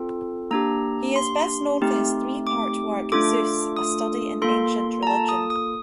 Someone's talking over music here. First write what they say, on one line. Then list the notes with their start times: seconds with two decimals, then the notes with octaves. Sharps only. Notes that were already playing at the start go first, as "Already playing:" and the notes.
He is best known for his three-part work "Zeus: A Study in Ancient Religion".
Already playing: C4 F4 A4
0.51 A#3 D4 G4 A#5
1.16 C6
1.81 A3 C4 D#4 G4
2.47 D6
3.12 A3 D4 F4 A4 D6
3.77 D#6
4.42 A#3 F4 A4 C6
5.03 A#5
5.07 A5
5.29 D#6
5.50 D#6